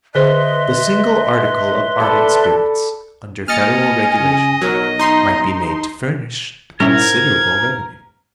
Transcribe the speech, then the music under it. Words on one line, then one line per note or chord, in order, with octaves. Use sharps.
The single article of ardent spirits, under federal regulation, might be made to furnish a considerable revenue.
D3 G#4 B4 C5 D#5 E5 C6
A4 D5 A5 B5
A#3 D#5 G#5 F6 A6 C#7
C#3
B1 F#3 A#4
D#4 A#5 C6
G#2 G3 C#4 E4 A#4 G#6